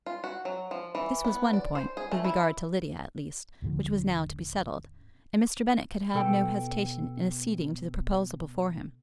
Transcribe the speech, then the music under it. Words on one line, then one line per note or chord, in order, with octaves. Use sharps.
This was one point, with regard to Lydia, at least, which was now to be settled, and Mr. Bennet could have no hesitation in acceding to the proposal before him.
F4
F#4
F#3
F3
E3
B3
D5
C5
G#4
A3
E4
D#1 G#2 D3 F3
B2 A4 G5